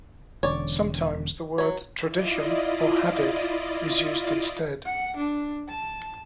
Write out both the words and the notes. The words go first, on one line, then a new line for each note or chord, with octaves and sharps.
Sometimes the word "tradition" or "hadith" is used instead.
E1 D3 C#4 C#5 D5
F#3 C#5
E4 F4 D5 D#5
F#5
D4
A5